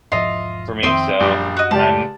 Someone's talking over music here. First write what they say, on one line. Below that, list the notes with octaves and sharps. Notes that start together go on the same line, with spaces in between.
for me, so, I'm
E1 G#2 F3 F4 D#5 E5
F2 D#3 C4 E5 G5 C6 D#6
A#1 F#2 G3 G4
F#4 D#5
C#2 G4 D5 A5